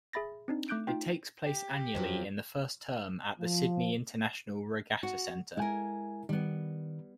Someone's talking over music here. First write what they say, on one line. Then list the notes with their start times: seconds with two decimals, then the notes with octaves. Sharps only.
It takes place annually in the first term at the Sydney International Regatta Centre.
0.13 G#4 E5 B5 A6 A#6
0.48 C4 D4 D#4
0.69 A3 D6 F#6 G6 D7
0.87 D#4 F4 G5
1.46 G4
1.95 F2 F3 F#3
3.39 F3
5.03 F#4
5.57 G#3 E4 A#4 G#5
6.29 D#3 G3 B3